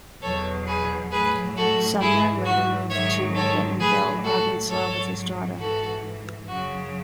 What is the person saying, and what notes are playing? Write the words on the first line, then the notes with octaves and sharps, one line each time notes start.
Sumner later moved to Bentonville, Arkansas with his daughter.
E2 B2 F#3 A4 C#5
G#4 B4
A2 F#3 G#4 B4
F#4 A4
G#2 E3 E4 G#4
F#4
G#2 D#3 F#3 C#5 E5
A4 C#5
A2 F#3 G#4 B4
F#4 A4
G#2 F#3 A4 C#5
G#2 E3 F#4 A4
F#2 C#3 F#3 F#4